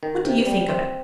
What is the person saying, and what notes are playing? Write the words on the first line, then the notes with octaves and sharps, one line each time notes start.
What do you think of it?'
D#3
C3
G3
C4